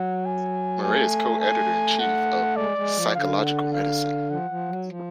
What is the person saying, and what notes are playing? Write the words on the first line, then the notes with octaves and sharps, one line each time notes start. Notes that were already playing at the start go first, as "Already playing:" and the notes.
Murray is co-editor-in-chief of "Psychological Medicine".
Already playing: F#3 F#5
G#5
A3 G#5
G#5
F#5
G#3 D5
G#3
F3
D3 F5
F#5
F5
F3 F#5
F3
F#3
F3